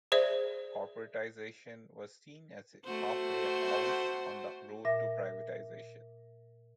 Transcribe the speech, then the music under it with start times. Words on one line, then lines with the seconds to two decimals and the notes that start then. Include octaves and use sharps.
Corporatization was seen as a half-way house on the road to privatization.
0.12 G#4 C5 D5 E5
2.85 A3 F#4 C5
4.85 A#2 E5 A#6